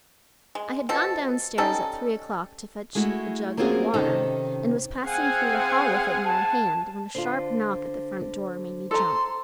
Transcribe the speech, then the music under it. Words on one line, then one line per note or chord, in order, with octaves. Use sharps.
I had gone down-stairs at three o'clock to fetch a jug of water; and was passing through the hall with it in my hand, when a sharp knock at the front door made me jump.
G#3
B2 F3 A4
G3 C#4 D#4 A4
G#3 A3 E4 F#4
A#3 C4 C#4 F4 F#4 G#4
C3 D#3 C#4 D#4 A4
C4 G#4 F5 F#5 G#5
A5
D3 D4 F4 C5
A4 A#5 C6